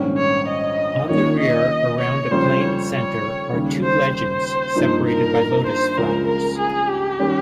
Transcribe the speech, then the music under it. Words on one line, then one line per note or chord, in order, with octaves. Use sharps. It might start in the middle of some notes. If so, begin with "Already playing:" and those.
On the rear, around a plain center, are two legends separated by lotus flowers.
Already playing: A#1 G#2 D#3 G3 C#4
C#5
D#5
D#2 D#3 A#3 C#4 F4 C#5
D#5
C#5
F2 C#3 G3 C#4 F4 C5
C#5
C#5
D#2 C#3 G3
C5
C5
G2 F3 A#3 D#4
A#4
C5
C#2 C#3 F3 G#3 A#4
A#4
G#4
G4
D#3 G3 C#4